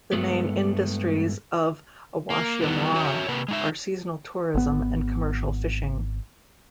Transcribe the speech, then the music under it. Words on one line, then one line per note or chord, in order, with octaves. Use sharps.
The main industries of Awashimaura are seasonal tourism and commercial fishing.
G2 G#3 A3 B3
A#3
E3 G3 B3
F#4 C#5 E5
C3 A#3 B4
G#3 D#4 E5
G#1 B3